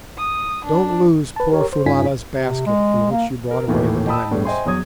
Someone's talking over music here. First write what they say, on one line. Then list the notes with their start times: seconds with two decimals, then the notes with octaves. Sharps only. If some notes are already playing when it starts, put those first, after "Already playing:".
Don't lose poor Foulata's basket in which you brought away the diamonds.
0.18 D#6
0.65 D4
1.36 B4 A5
1.52 G4 A#4 C#5
1.73 C5
1.86 G2 C#4 D#4 F4 G#5 B6
2.32 C3
2.66 G#3
3.11 A#3
3.51 A#4
3.67 D#2 A2 E3
4.06 D#5 G5 A5 B5 D#6 E6
4.31 E2 A2 G3 B3 D4
4.45 C5 D#5 E5 G5 G#5 C6
4.66 E2 F#3 C#5 D#6 G#6